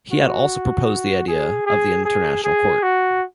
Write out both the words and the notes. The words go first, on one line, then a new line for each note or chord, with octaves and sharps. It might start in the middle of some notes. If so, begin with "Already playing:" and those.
He had also proposed the idea of the International Court.
F#4
G#4
G#4
G#4
G#4
F#4